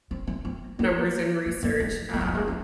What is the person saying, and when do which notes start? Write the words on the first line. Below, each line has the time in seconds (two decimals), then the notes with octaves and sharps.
numbers and research, um,
0.11 C4
0.27 C4
0.45 C4
0.79 A#3
1.46 A#3
1.63 A#3
1.80 G#3
2.14 A#3
2.21 G#3
2.28 F#3
2.35 G#3
2.48 C4